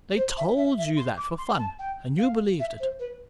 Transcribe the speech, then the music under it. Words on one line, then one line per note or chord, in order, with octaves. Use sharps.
They told you that for fun, and you believed it!
C5
E5
E5
E5
C6
D6
C6
A5
G5
F5
E5
C5
B4